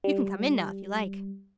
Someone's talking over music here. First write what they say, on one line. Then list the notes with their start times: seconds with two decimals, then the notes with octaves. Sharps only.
"You can come in now, if you like."
0.04 G3